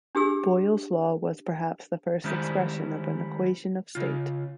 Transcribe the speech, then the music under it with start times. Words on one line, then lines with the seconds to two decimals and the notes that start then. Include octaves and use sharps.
Boyle's Law was perhaps the first expression of an equation of state.
0.15 D4 G4 G#4 E6
2.24 D#3 G3 G#3 C#4 E4 C5
3.95 C#3 F4